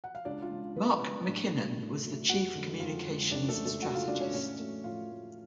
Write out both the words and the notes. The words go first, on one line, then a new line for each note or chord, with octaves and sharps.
Mark McKinnon was the chief communications strategist.
F#5
F5
C#2 D4 D5
F4 F5
C#3 G#3
C#2 B3 B4
C#3 G#3
A2 D4 D5
F#3 A3
A2
F#3 A3
F2 F#4 F#5
D3 G#3
F2 F4 F5
D3 G#3
F2 D4 D5
A3 A4
C#3 G#3
A3 A4
F2 F#4 F#5
F4 F5
C#3 G#3 D4 D5
C#4 C#5
A2 C#4 C#5
F#3 A3
A2 F4 F5
F#3 A3